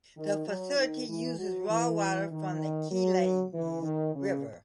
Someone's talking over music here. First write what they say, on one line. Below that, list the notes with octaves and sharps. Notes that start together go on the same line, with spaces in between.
The facility uses raw water from the Kelani River.
D#3
F#3
D#3
E3
F#3
E3
D#3
F#3
E3
D#3
C#3